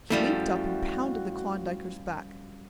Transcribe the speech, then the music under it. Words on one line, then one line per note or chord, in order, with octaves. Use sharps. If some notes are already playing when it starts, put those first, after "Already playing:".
He leaped up and pounded the Klondiker's back.
F#2 F3 G3 A3 E4 F#4